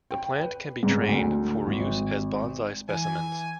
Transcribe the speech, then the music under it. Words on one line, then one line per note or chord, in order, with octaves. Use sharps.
The plant can be trained for use as bonsai specimens.
G5
B4
G#2
D2
G#1
E3 G#5